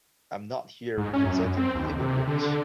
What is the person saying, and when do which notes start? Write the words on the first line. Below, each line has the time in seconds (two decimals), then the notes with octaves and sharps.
I am not here representing immigrants.
0.98 G#2
1.13 C#4
1.25 F#2
1.57 C4
1.75 D#2
2.00 C3
2.28 D3